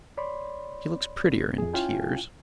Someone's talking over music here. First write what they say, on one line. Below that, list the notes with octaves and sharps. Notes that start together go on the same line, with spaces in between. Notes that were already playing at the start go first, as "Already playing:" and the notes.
She looks prettier in tears.'
C#5 D5 B5 C6
F2 G#4
C#4 E4 F4 F5 G5 G#5